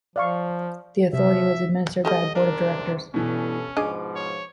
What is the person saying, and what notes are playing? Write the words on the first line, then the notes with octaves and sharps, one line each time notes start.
The authority was administered by a board of directors.
F3 D5 F5 C#6
C3 F3 E5
G3 A3 G4 D#5
E2 G#2 C3 D4 A#4
G2 B2 E3 C#4 A4
G#2 B2 F3 D4 G#4 D#5 D6
C#5